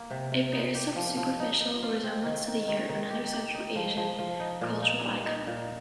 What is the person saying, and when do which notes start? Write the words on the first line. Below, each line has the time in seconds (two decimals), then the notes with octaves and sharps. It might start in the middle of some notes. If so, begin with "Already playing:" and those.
It bears some superficial resemblance to the yurt, another Central Asian cultural icon.
Already playing: A#3
0.10 C3
0.32 C3
0.53 D#4
0.75 G4
0.96 F3
1.17 F3
1.40 D#4
1.61 D#4
1.83 F4
2.04 C4
2.25 D#3
2.47 D#3
2.68 D#3
2.89 D#3
3.10 G4
3.33 G4
3.54 D#4
3.75 F3
3.97 F3
4.19 F3
4.40 D#4
4.61 A#2
4.82 D#4
5.04 G3
5.26 D#4
5.47 A#2